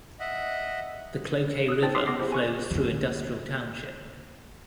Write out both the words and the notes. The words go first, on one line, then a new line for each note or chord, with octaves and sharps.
The Cloquet River flows through Industrial Township.
D#5 E5 F#5
D#6 E6 F#6
D#4 C5 G5 A5 A6
C6 D6 D#6 B6 C7
B3 D6 A#6 C7
E4 G4 G#4 C5
G#5 C#6 F#6
D3 A#3